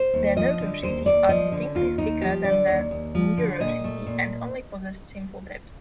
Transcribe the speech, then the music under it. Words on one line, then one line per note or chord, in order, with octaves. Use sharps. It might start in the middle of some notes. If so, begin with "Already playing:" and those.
The notochaetae are distinctly thicker than the neurochaetae and only possess simple tips.
Already playing: C5
D#2
F3 D#5
D3
D#2 C5
D#2 D5
F3 D#5
D3
D#2 F4
D#2 D#4
F3 G4
D3 D5
D#2
D#2
F3
D3
A#2 D#5
A3
A#2